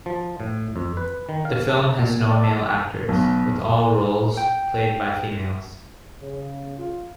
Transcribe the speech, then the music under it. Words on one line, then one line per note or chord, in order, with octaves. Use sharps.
The film has no male actors, with all roles played by females.
F3
A2
F2
B4
D#3
F5
A4
A#2
D5
A4
B1 B2
G5
C#3
F4